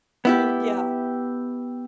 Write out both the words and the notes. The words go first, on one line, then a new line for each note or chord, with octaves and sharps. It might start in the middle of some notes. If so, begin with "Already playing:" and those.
Mm, yeah.
B3 E4 G4